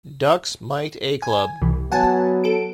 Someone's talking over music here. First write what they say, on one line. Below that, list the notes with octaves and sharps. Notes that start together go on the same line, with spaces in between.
Ducks Mite A club.
G#5
C2 E3
F#3 B3 F#5 G#5 A5
A4 D7